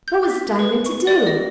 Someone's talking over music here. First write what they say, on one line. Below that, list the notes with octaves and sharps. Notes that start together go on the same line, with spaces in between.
What was Diamond to do?
G6
B6
B4
C#6
D5
D#5